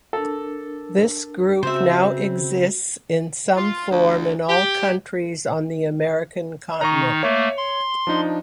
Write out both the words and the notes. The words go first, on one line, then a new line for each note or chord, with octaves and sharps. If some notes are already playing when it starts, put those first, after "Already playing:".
This group now exists in some form in all countries on the American continent.
D4 A4 A#4
C#3 C4 F#4 C5 E5
F4
D2
G4
D#3 D#4 A#5 C#6
A3 A#3 C#5
C6
F3 D4 D#4